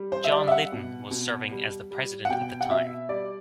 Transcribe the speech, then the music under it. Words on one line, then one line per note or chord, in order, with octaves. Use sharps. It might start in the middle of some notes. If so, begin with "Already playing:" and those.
John Litten was serving as the president at the time.
Already playing: G3
C5
E5
G3 D5
E5
F#5
B2
B2
G3
G3
F#5
B2 G5
F#5
B2 E5
G3 D5